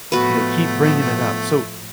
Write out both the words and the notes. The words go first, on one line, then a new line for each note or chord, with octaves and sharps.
and they keep bringing it up. So,
A2 F3 A3 B3 F#4 B4